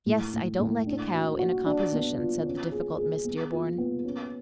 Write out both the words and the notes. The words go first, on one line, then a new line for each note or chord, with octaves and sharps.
"Yes, I don't like a cow in a composition," said the difficult Miss Dearborn.
A2
A2
A2
D4
F#4
F#4
D4
B3
F4
C#4
G#4
G#4
B3
F4
B3
C#4